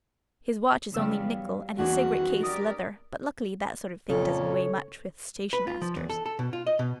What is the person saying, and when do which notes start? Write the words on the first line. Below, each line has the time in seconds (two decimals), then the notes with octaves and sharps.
His watch is only nickel and his cigarette case leather, but luckily that sort of thing doesn't weigh much with station-masters.
0.94 E2 C#3 G3 B3 F5 E6
1.31 F#3
1.79 E2 E3 A#3 C#4 D4 F#4 G#4
2.13 D#3 E3
2.43 G4 A#4 D5 D#6
4.10 F2 A#2 C#3 A4 C#5
5.53 B4
5.67 F4
5.82 F3
5.96 E2
6.10 A4
6.26 A4
6.39 B2
6.53 F4
6.67 D#5
6.79 B2